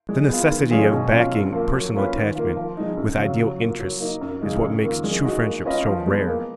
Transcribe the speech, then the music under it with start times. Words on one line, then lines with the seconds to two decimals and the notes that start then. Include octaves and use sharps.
The necessity of backing personal attachment with ideal interests is what makes true friendship so rare.
0.09 G#3
0.29 B3 F4
0.50 D#3
0.71 G#3 C#4 F4 G#4
0.91 B2
1.11 F#3 C#4 F4
1.32 F#2
1.53 F3 A#3
1.74 F#3
1.94 A#3 C#4 F4 B4
2.15 D#3
2.35 A#3 F4
2.56 F3
2.77 G#3 D#4
2.97 F#2
3.18 C#3 F#3
3.38 F#3
3.59 A#3 F4
3.80 F#3
4.00 A#3 D#4
4.21 F#2
4.41 C#3 G#3 D#4
4.63 F#2
4.82 D#3 A#3 F4
5.04 G#3
5.24 D#4 F#4
5.45 A#3
5.65 C#4 F4 B4 D#5
5.86 F3
6.06 G#3 B3
6.27 A#3